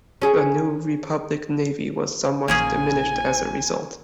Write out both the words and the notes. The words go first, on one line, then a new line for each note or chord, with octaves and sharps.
The New Republic navy was somewhat diminished as a result.
C#4 G#4
A#1 A#3 C#4 G#4 G#5